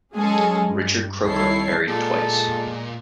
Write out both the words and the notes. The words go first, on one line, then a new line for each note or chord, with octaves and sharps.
Richard Croker married twice.
F#3 G#3 C#4 G#4 A4
G2
C2 D#3 E4 A4 C#5 C7
A#2 G#3 B3 E4 F4 A4